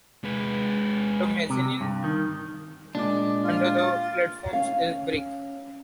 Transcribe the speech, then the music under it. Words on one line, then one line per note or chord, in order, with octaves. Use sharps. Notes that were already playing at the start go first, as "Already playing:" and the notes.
The mezzanine under the platforms is brick.
G#3 B4
C3
G2
D#3
A#2 G#3 D4 D6
F4
A6
C#4 F5